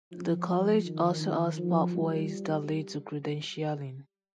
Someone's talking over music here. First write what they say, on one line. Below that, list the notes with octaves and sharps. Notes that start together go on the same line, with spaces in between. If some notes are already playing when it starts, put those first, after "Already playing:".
The college also has pathways that lead to credentialing.
F3
D#3
D#3
F3
G3